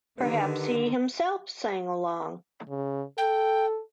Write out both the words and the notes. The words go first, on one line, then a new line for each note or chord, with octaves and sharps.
Perhaps he himself sang along.
D3 D#3 G4 B4
C#3
A4 G5